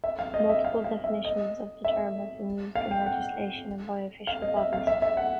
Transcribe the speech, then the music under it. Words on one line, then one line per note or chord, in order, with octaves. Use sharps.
Multiple definitions of the term have been used in legislation and by official bodies.
E5
F5
D#5
E5
F5
F5
E5
D#5
E5
F5
G5
F#5
F5
D#5
E5
F5
E5
E5
F#5